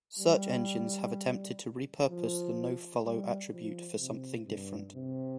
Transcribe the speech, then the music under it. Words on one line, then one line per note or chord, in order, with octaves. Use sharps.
Search engines have attempted to repurpose the nofollow attribute for something different.
G3
F3
G3
F3
C3
G2
C3